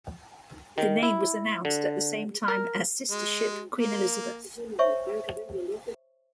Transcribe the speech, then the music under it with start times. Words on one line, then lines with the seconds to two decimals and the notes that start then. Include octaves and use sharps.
The name was announced at the same time as sister ship "Queen Elizabeth".
0.78 D#3
1.03 E4
1.65 D3
2.48 A#4
3.11 G#3
3.78 A#3
4.79 C5 C#5 E5 C#6